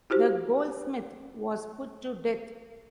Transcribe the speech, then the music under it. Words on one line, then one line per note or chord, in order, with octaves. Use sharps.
The Goldsmith was put to death.
E4 F#4 G4 C5